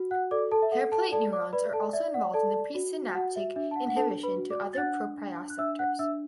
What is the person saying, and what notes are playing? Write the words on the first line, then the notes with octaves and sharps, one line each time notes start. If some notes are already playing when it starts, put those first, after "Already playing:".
Hair plate neurons are also involved in the presynaptic inhibition to other proprioceptors.
Already playing: F#4
F#5 F#6
A4 D5 D6
A4 A5
E5
A4 F#5
A4 A5
A4 D5 A5
D5 D6
B4 D5 B5
A4 A5
D5 E5
F#5
A4 D5 A5
F#4
F#4 F#5
E5
D4 E5
A5
F#5
F#5
D4 A4 A5
B4 B5
F#4
D5 D6
A6
D4 F#5 F#6
D4
F#6
D4 E5 E6
F#5 F#6
D4 E5 E6